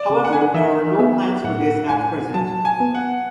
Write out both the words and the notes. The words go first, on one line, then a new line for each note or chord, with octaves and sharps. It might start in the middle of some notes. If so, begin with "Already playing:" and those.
However, there are no plans for this at present.
Already playing: D5
C#3
F#5
G#5
F#5
E3 E5
B3 E5
A2 F#5
A2 G#5
F#3 A5
G#5
B3
F#5